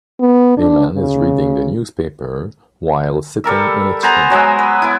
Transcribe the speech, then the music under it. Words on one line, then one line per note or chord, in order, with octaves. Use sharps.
A man is reading the newspaper while sitting in a chair.
B3
D4
C#3
G3 A4 A#4 E5
B3 C5 G#5 A#5
F#3 G#3 D#5 E5
B4
B3 E4